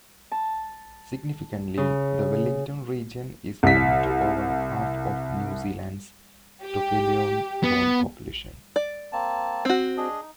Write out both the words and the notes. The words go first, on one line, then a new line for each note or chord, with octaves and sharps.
Significantly, the Wellington region is home to over half of New Zealand's Tokelauean-born population.
A5
C#3
C2 B6
G4
B3
D5
A#3 C4 A5
C4 F#4
D4 G#4 D#5
D#4